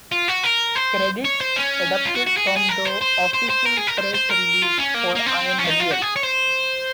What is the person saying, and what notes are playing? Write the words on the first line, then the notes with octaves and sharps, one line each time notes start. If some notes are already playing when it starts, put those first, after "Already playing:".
Credits adapted from the official press release for "I Am Real".
F4
F#4
A#4
C5
C#5
C5
C#4
F4
F#4
F#4
G#4
F#4
G#4
A#4
C5
C5
C5
C5
A#4
G#4
A#4
C5
C5
A#4
F4
C#4
A#3
A#3
C4
C#4
F4
D#4
F4
F#4
G#4
C#5
C5